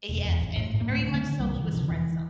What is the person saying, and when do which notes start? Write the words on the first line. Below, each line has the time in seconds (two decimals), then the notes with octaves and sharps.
Yes, and very much so he was friend zoned,
0.09 E1
0.24 E2
0.41 A1
0.57 A2
0.74 A2
0.81 A#3
0.90 D2 A3 C4
1.08 D3
1.15 A3 C4
1.24 D3
1.39 C2 G3 A#3
1.53 D3
1.56 C3
1.64 E3
1.73 C3
1.77 D3 F3
1.88 E1 E3